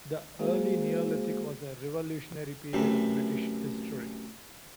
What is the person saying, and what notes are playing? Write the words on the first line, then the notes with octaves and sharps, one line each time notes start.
The Early Neolithic was a revolutionary period of British history.
G#3 A#3 F#4 G#4 C5 F5
F#2 C3 E3 A3